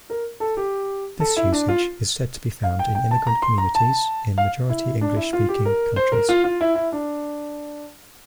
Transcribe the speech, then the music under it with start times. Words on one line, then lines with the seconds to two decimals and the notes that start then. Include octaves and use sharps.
This usage is said to be found in immigrant communities in majority-English-speaking countries.
0.10 A#4
0.40 A4
0.57 G4
1.20 A4
1.37 E4
1.52 D4
1.68 F4
2.64 F5
2.79 G5
2.95 G5
3.11 A5
3.27 A#5
3.42 C6
3.58 A#5
3.75 A5
4.38 F5
4.69 E4
5.01 D4
5.17 E4
5.33 F4
5.49 G4
5.65 A#4
5.96 C5
6.12 A#4
6.29 F4
6.44 F4
6.61 E4
6.75 E4
6.92 D4